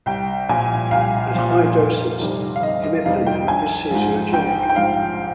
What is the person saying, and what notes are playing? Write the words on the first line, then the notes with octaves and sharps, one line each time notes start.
At high doses, imipenem is seizurogenic.
C2 G5
A#2 F3 G#5
C2 F5
A#2 F3
F1
F2 C3 D#3 G3
F5
F1 D#5
D#5
F2 C3 D#3 G3 F5
G5
A#1 G#5
G#2 F3
A#1 G5
G5
G#2 F3 F5